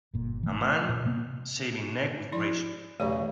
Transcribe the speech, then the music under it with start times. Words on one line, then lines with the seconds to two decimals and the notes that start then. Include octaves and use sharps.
A man shaving neck with razor.
0.14 G1 A#2
0.43 E3 A3
0.89 A#2
1.05 C3 A#3 B3
2.32 F3 E4 D5
3.00 B1 E2 C#3 A3 G4 D5